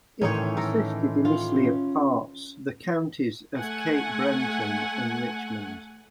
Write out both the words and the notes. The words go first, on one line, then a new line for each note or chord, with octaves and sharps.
It consisted initially of parts the Counties of Cape Breton and Richmond.
A2 D#3 E3 C#4 D#4 C#5 G5 C6
A4 A#4
F4
C#4
A3 F#5 G#5